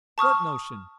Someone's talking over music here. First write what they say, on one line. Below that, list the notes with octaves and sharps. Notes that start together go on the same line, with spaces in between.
"What notion?"
A5 C#6 D#6 F6